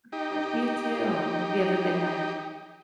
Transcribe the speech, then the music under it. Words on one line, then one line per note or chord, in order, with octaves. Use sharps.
Of course, you too! I hope you have a good night.
D#4 G4